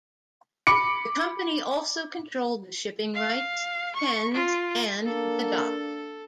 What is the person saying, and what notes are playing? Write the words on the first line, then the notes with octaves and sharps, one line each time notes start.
The company also controlled the shipping rights, pens and the dock.
B5 D6 C#7
F5
C#6
F4
A#3 D4 A4